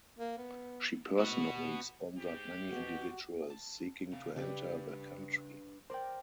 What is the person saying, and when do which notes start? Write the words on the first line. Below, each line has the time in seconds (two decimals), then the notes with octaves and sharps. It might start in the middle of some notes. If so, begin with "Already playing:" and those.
She personally sponsored many individuals seeking to enter the country.
0.19 A#3
0.38 B3
1.19 B3 F#4
2.18 G#2 C#3 G4
2.69 B2 F#4
3.50 A5
4.12 C3 F5
4.36 C#3 G3 D4 G4 B4 D5
5.90 A#4 C5 D5 G5